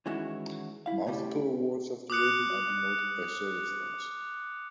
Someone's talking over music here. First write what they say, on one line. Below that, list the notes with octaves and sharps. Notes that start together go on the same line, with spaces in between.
Multiple awards of the ribbon are denoted by service stars.
D#3 E3 G#3 C#4 E4 F#4
E4 F5
A2 C#3 G3
D6 D#6 F#6 C#7